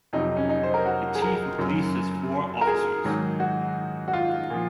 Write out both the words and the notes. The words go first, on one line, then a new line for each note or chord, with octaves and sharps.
The Chief of Police has four officers.
F2 C3 F#3 D#4
C#4
D#4
C5
A#4
F#4
G#4
A#4
F#2 C#3 F#3
A#4
G#4
G#2 D#3 F#3
F#4
F#4
F4
A#2 F3